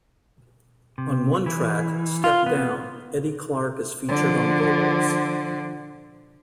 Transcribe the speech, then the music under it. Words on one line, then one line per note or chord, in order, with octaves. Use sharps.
On one track, "Step Down," Eddie Clarke is featured on vocals.
C3
E3
F4
B3
D3 F3